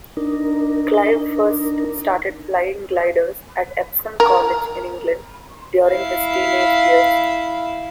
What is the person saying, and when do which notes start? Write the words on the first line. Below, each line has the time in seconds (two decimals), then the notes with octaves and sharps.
Clive first started flying gliders at Epsom College in England during his teenage years.
0.17 D4 D#4 A#4
4.20 A#4
5.87 E4 F5